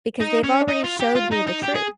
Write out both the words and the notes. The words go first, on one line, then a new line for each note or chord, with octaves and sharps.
because they've already showed me the truth.
D#4
C#4
D#4
F4
G4
F4
D#4
D#4
G4
G#4